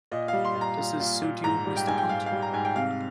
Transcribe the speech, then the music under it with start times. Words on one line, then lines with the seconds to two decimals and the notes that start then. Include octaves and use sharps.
Does this suit you, Mr. Hunt?
0.12 A#2 D#5
0.28 G3 F5
0.45 C6
0.55 A#2
0.61 A#5
0.78 A#2
1.00 A#2
1.22 A#2
1.44 G#2 A#5
1.65 G3
1.76 G5
1.87 G#2 G#5
1.98 G5
2.09 G#2 F5
2.26 F5
2.32 G3
2.42 A#5
2.53 G#2 G#5
2.65 G5
2.76 C3 F5